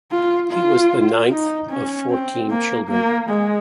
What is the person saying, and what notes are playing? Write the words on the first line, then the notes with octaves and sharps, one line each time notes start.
He was the ninth of fourteen children.
F4
F4
D#4
C#4
C4
A#3
A#3
G#3